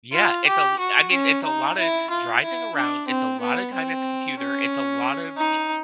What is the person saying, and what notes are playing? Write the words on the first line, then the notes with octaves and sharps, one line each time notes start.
yeah, it's a l I mean, it's a lotta driving around, it's a lotta time at the computer, it's a lot of yep
F4
G4
F#4
C#4
D#4
E4
F4
E4
D4
C4
B3
C4
C#4
D#4